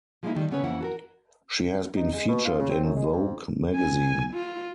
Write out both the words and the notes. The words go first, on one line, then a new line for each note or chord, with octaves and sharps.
She has been featured in Vogue Magazine.
F3 G#3 A#3 C#4 D#4 E4
D3 D#3 G3 A3
C#3 B3 C#4 A4 B4 C#5
F2 E3 A#3 C#4 E4 F#5
F#4 A4 A#4
D#4
G#3
B2
F4
C#3
C4
F#2
G#3
F2
G#5
F4